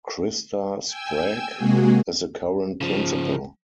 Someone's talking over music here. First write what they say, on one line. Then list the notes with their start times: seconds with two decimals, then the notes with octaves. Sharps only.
Krista Sprague is the current principal.
0.87 G5 G#5 E6
1.55 C3 G#3 A#3 F#4 G#4
2.81 C#3 F3